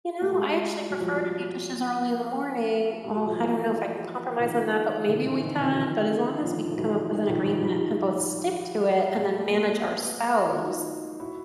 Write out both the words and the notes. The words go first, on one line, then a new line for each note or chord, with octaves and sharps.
you know, I actually prefer to do dishes early in the morning." "Oh, I don't know if I can compromise on that, but maybe we can," but as long as we can come up with an agreement and both stick to it and then manage ourselves
A3
F#3 G#3
F#3
F3 G3
G3
F#3
F3
E3 F#3
D#3 F3
D3 E3
D3
E3
D#3
D3 E3
F#3
D#3 F3
D#3 F3
F3
E3 F#3
D#3 F3
D#3 F3
F3 G3
F3 G3
G3 A3
G#3 A#3
A#3
A3 B3
F#4
D#4 F4
E4 F#4